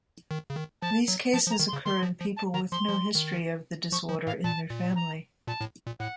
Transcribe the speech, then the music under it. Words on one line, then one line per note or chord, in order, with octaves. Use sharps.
These cases occur in people with no history of the disorder in their family.
D#3
C#3
D#3
F3 A5
F#3
F3 A5
F3
A#5
D#3
C6
C#3
D#3 C6
F3
F3
A5
D#3 A#5
F3 C6
F3
D#3
F3 C#6
F3
A2 F5
A#2 A5
A#2
A#5
A#2 A5
A2
A#2
A2 F#5